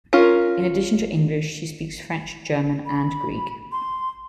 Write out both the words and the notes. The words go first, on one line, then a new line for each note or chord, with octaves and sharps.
In addition to English, she speaks French, German, and Greek.
C#4 F4 A#4
B5
C6